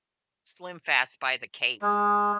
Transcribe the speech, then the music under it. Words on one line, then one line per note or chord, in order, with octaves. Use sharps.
SlimFast by the case.
G#3